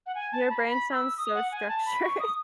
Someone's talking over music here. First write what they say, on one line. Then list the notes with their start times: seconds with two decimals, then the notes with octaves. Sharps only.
Your brain sounds so structured. I
0.06 F#5
0.15 G#5
0.32 A5
0.50 B5
0.66 B5
0.91 E6
1.17 D#6
1.34 F#5
1.51 G#5
1.68 A5
1.85 B5
2.03 C#6
2.19 D#6